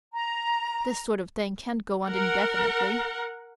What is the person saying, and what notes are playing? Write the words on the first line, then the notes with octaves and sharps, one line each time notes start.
This sort of thing can't go on indefinitely.
A#5
A#4 F#5